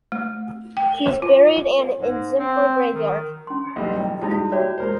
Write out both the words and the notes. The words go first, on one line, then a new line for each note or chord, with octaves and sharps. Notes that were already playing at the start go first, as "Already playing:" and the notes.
He was buried in Azimpur Graveyard.
A3
G5
F4
G#2
C4
D#3
C#4 C6
B1 G3
A1 G5
G3 G#3 D#4 E4 F#4 G5
F#4 G4 C#5 D5 E5
G#3 A#4 C5